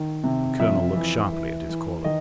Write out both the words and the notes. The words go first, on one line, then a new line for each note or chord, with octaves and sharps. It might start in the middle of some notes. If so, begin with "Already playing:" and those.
The colonel looked sharply at his caller.
Already playing: D#3
C3
F2 E5
E3
E3
E3
D#3 D#5